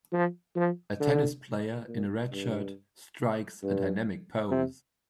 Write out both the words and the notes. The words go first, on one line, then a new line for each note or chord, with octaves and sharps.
A tennis player in a red shirt strikes a dynamic pose.
F3
F3
D3
A#2
G2
G2
C3